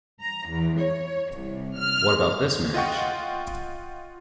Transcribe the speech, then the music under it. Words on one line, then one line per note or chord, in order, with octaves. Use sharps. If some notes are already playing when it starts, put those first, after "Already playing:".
What about this match?
A#5
E2
C#5
C2
F6
F4 D#5 F#5 G5 C#6